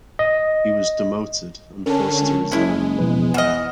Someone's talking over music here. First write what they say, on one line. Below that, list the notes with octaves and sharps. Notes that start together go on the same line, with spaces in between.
He was demoted and forced to resign.
D#5
D3 C#4 A#4 A5
C#2
F#1 G#3 C#4 E4
E2 B2 F3 B4
E3 D#5 F#5 F6